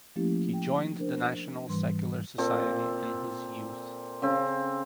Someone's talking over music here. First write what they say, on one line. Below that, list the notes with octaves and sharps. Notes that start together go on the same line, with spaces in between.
He joined the National Secular Society in his youth.
F3 A3 A#3 C#4 E4 G4
G5
D4 A#4 C5
G#2 E3 G3 B4 C6
A#2 C4 A4
C#3 C4